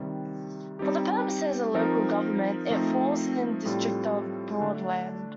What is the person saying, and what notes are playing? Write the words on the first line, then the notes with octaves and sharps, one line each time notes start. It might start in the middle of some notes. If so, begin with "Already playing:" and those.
For the purposes of local government, it falls within the district of Broadland.
Already playing: C3 D#3 G3
G3 C4 D#4 G4
F3 C4 D#4 A#4
F3 A3 C4 D#4
A2 G3 C4 F4 A4
D3 A3 D4